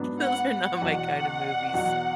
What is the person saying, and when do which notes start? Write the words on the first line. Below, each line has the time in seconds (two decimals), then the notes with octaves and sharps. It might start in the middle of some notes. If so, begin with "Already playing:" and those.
Those are not my kind of movies.
Already playing: G#2 F#3 B3 D4
0.21 F#5
0.51 F#5
0.82 E2 B2 F#3
1.74 E2 B2 F#3